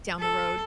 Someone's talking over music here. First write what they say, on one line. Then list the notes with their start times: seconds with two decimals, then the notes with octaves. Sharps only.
down the road?
0.19 A4